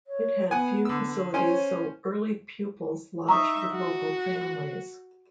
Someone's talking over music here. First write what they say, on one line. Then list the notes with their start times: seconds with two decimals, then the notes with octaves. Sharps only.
It had few facilities so early pupils lodged with local families.
0.07 C#5
0.51 B3 F#5 G#5
0.85 D3 E6
1.34 C#4 C5 C#5 G#5
3.29 D#4 E5 A#5 C#6 D#6
3.72 F#4